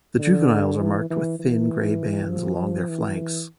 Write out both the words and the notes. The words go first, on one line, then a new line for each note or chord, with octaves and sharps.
The juveniles are marked with thin grey bands along their flanks.
D3
E3
E3
E3
F3
E3